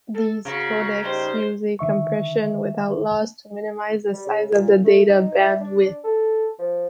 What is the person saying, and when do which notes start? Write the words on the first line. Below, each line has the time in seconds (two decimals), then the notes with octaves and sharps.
These codecs use a compression without loss to minimize the size of the data bandwidth.
0.14 A4
0.45 C#3 F#4 A#5
1.03 G3 D#4 C5
1.79 D3 D#3 E5 C#6
4.13 G3
4.26 C#3
4.55 A#2
4.84 A3
5.09 D#4
5.37 E4
5.60 D4
6.04 A4
6.59 F3